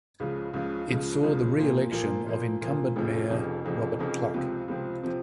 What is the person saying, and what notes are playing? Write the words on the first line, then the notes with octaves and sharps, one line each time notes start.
It saw the reelection of incumbent mayor Robert Cluck.
C#2 C#3 F3
C#2 C#3 F3
C#2 C#3 F3
C#2 C#3 F3
A#2 F3 A#3
A#2 F3 A#3
A#2 F3 A#3
A#2 F3 A#3
F1 F2 C#3 F3
F1 F2 C#3 F3
F1 F2 C#3 F3
F1 F2 C#3 F3
C#2 C3 F3 C4
C#2 C3 F3 C4
C3 F3 C4